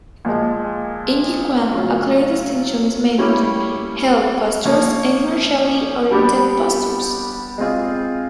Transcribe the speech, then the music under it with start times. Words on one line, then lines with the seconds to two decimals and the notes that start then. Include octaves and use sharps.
In Yiquan, a clear distinction is made between "health" postures and "martially oriented" postures.
0.25 A#2 F3 G#3
1.72 C#3 F#3 A3 C#4 F4
3.18 G3 A#3 C#4 E4 G4
4.65 F3 A#3 C#4
6.11 G3 B3 D4 G4
7.58 G#3 C4 F4 G#4